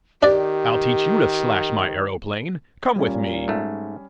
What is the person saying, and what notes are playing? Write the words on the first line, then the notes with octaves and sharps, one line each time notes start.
"I'll teach you to slash my aeroplane! Come with me!"
D#3 D4 G4 D5
A#2 G3 C#4
G#2 A3